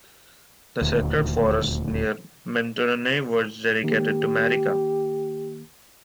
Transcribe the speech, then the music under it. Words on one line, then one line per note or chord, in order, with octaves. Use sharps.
The sacred forest near Minturnae was dedicated to Marica.
D#1 D2
D#3 A#3 G4